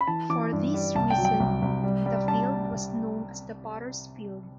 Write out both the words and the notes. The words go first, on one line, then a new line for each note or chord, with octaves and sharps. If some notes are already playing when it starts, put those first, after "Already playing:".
For this reason the field was known as the Potter's Field.
B5
E3 A5
E3 D6
G2
G3
C2 A5
G5
F#3
G5
C2
C2
G3
G3
G3 A5